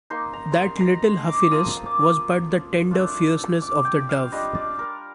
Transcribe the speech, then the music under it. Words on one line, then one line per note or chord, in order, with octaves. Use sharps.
That little huffiness was but the tender fierceness of the dove.
A#3 D#4 C6
A#5
C6
A#5
A#5 C6
C6
D6
F3 A#3 F4 D#6
D#6
D6
D#6
A3 D4 F4
D6
G5
F5
G3 D4 F4 D#5
D5
A#4